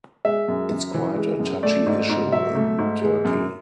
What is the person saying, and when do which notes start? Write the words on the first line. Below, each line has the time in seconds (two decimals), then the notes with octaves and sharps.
It's quite a touchy issue in Turkey.
0.25 G#3 E5
0.48 F#2
0.71 F#2
0.94 E3
1.17 G#3
1.40 F#2
1.63 A3 D5
1.86 G#2
2.09 G#2
2.32 F#3 E5
2.55 A3
2.78 G#2
3.02 G#3
3.25 F#2